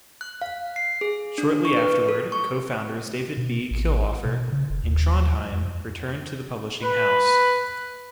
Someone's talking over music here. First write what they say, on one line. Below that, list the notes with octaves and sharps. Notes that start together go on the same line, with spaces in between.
Shortly afterward, co-founders David B., Killoffer, and Trondheim returned to the publishing house.
F#6
F5
C7
G#4
D4
C#6
B4
A4
C#6
B2
A1
B2
C#3
F1
D#2
F2
B4